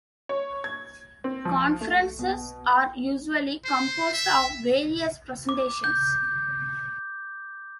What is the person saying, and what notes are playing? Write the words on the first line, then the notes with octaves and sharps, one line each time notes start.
Conferences are usually composed of various presentations.
C#5
G#6
C4
F3
A3
B2
C5
E5
D6
G6